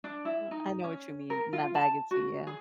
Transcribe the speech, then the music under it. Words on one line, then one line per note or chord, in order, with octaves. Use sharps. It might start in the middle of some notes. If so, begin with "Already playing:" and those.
Well, I know what you mean, in that bag of tea, yeah.
D4
E4
D#4
C#4
A#4
F4
A5
F#4
G#4